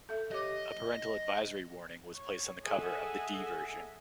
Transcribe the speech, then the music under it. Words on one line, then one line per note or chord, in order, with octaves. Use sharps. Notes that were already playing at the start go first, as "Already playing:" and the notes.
A Parental Advisory warning was placed on the cover of the D Version.
A4 E5
G4 C#5 D#5 D6
C#5
G#4 A4 D#5 E5 F#5 G#5